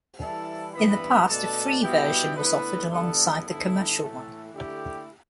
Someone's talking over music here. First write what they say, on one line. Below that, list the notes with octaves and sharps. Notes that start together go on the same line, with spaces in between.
In the past a free version was offered alongside the commercial one.
E3 G3 E4 A4 A5
G2 E3 B3 E4 B4 B5
B2 A3 D4 A4 A5
B2 G3 B3 E4 G4 G5
D3 A3 B3 E4 B4
D3 G3 B3 E4 A4
G2 D3 B3 E4 A4
A2 E3 A3
D3 A3 E4 G4